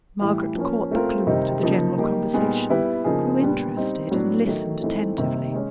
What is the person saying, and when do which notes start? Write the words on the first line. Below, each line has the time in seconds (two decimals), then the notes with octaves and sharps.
Margaret caught the clue to the general conversation, grew interested and listened attentively.
0.21 A2 E3 G3
0.55 F3 A#3 C#4
0.91 A3 C4 F4 A#4
1.27 C3 D#3 G3 C4 D#4
1.63 C#3 F3 A#3 D#4
1.98 G3 A#3 D#4 G4
2.33 A#2 G3 B3 D#4 G#4
2.69 G3 B3 E4 G4 B4
3.04 C#3 F3 A#3 D#4 G#4
3.40 A#2 G3 B3 D4
3.76 G3 C4 D#4
4.11 A2 F#3 B3 D4
4.47 D#3 F#3 A3
4.82 E3 A3 C4 D#4
5.18 C3 D#3 G3 A#3
5.53 G#3 C#4